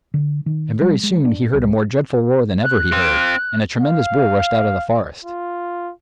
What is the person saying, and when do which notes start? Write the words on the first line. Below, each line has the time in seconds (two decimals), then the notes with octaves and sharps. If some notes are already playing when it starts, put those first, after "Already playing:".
And very soon he heard a more dreadful roar than ever he heard, and a tremendous bull rushed out of the forest.
0.14 D3
0.46 D#3
0.81 G3
1.03 G#3
1.25 D4
1.54 C2
2.63 F#6
2.92 C4 F4
3.81 F5
5.25 F4